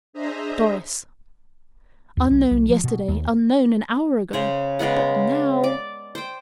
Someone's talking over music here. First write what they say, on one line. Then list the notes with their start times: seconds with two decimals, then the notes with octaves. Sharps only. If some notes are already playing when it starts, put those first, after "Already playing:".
Doris! Unknown yesterday, unknown an hour ago; but now!
0.13 D4 G#4 C5 D#5 E5 A#5
2.17 D#2
2.30 B1
2.51 B1
2.70 F3
2.84 B2
3.08 D#2
4.33 C#3 G#4 C5
4.79 C#3 G#3 B3 F#5
5.64 D5
6.15 C5 G5